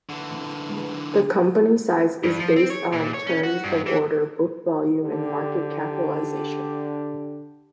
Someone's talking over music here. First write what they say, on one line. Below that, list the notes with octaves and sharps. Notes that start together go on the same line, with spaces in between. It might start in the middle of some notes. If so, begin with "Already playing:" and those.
The company size is based on terms of order book volume and market capitalization.
D3 E3
G2
F3
C4
C#5
A#2
C#5
C#4
F#4
G2
E3
D3 D4 G4